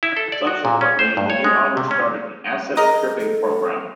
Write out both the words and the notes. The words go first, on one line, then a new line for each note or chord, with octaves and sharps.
Subsequently the new owners started an asset-stripping programme.
E4
A4
D5
F#4
A#2
C#4
C5
G2
C#5
G#3
C3
C#4
G#4 A#4 D#5
A4